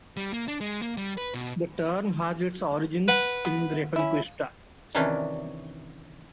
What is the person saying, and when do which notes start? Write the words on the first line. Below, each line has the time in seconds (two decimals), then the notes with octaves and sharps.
The term has its origins in the "reconquista".
0.17 G3
0.33 A#3
0.48 D4
0.61 G#3
0.82 A#3
0.97 G3
1.17 B4
1.34 B2
3.08 B4 F#5
3.45 B3
3.96 C#4 E4
4.95 C3 D#3 E3 C#4 D4